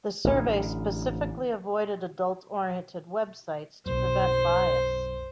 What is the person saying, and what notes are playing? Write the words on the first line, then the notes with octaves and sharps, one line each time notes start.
The survey specifically avoided adult-oriented websites to prevent bias.
A1 D3
B1 F#2 C5